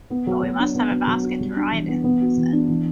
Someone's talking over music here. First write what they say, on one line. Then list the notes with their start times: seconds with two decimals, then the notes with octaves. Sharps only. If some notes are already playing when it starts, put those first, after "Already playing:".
"But we must have a basket to ride in," he said.
0.10 B3
0.27 F#3
0.43 F#3
0.60 D4
0.75 B3
0.91 F#3
1.07 F#3
1.23 F#4
1.40 G3
1.57 D4
1.72 E3
1.88 B3
2.04 B3
2.21 F#4
2.37 E3
2.52 D4
2.69 E3